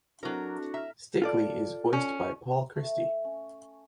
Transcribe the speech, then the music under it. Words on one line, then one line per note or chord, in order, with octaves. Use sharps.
Stickly is voiced by Paul Christie.
F#3 C4 D4 E4 F#4 A4 A#4
E5 A#5 F6
F4 A4 D5
C#4
A3
C#4